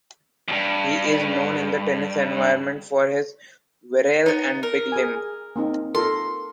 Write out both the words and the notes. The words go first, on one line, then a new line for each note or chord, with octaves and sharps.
He is known in the tennis environment for his virile and big limb.
E2 G2
B3 D#4 C#5
A#4
G#4 G#5
A#3 C4 D#4
F4 A4 A#4 C6